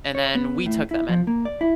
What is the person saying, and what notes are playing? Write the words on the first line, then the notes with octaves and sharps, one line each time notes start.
and then we took them in,
C#5
B3
A2
E4
F3
A#3
D5
E4